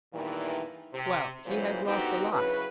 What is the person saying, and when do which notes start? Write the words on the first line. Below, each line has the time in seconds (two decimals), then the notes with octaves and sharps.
Well;--he has lost a lot.
0.13 E2 G2 A#2 D#3 E3
0.94 C3
1.45 F#2 A#2 C#3 E3 F#3 C5
1.84 D3 B3 C4 D#4 F#4 G4
2.31 C#3 F#3 E4 B4